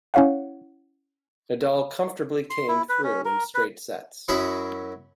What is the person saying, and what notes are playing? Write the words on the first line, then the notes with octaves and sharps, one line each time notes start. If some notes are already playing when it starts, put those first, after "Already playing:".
Nadal comfortably came through in straight sets.
C#4 E4 C#5 F5 F#5
C6
E4
B4
C#4
A#4
B4
F#2 C#4 E4 D#5 B5 C#6